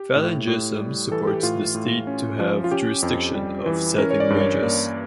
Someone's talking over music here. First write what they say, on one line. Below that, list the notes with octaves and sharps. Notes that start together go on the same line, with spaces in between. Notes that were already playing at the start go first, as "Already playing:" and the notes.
Falangism supports the state to have jurisdiction of setting wages.
Already playing: G4
A2
A2
G3
E3 A4
G4
A2 F4
A2
C#4
F3
F4
C#4 G4
F2
G3
E3
C#4 A#4
C#5
D5
G2
A#4
C#5
A#3